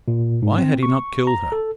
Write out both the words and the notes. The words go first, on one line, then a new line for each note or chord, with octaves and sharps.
Why had he not killed her?
A#2
G#2
C4
C#6
A#5
A4